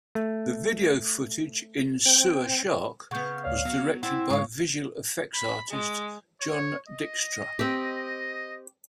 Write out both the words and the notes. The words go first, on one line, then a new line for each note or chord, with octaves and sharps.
The video footage in "Sewer Shark" was directed by visual effects artist John Dykstra.
A3
C4 G5
C#3 B3 F#5 C#6 G6
D2 C#5 D5 F5
F#3 B3
C4 E4 D5 F#5
G#2 G#3 C#5 F5
B5
G#3
C#5
D#5
C4 G4